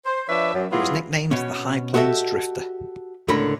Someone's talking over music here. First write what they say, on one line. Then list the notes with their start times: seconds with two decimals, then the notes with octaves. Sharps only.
He was nicknamed the "High Plains Drifter".
0.06 C5
0.29 F3 D4 B4 C#5 E5
0.54 F#2
0.71 F#3 G3 B3 E4 F4 G#4
1.31 B2 B3 C#4
1.94 F#4 G4 A4 D#5 E5
3.28 C#2 A2 D3 A#4 B5